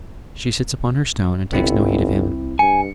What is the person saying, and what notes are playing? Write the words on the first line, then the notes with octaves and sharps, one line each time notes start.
She sits upon her stone, and takes no heed of him.
G1 C2 C4 E4
G2 G#5 C#7